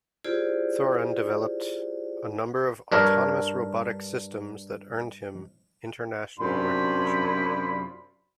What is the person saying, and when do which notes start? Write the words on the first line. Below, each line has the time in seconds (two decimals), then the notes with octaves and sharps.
Thrun developed a number of autonomous robotic systems that earned him international recognition.
0.24 E4 F4 G4 G#4 C5 D5
2.92 G2 D4 A#4 C#5
6.39 F#2 C3 D4 F4 B5